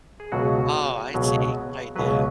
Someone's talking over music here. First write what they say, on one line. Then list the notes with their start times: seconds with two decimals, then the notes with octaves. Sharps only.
Oh, I see, good idea.
0.20 G#4
0.32 C#2 B2 F#3 F#4
1.14 C#2 B2 F#3
1.96 C#2 B2 F#3 B4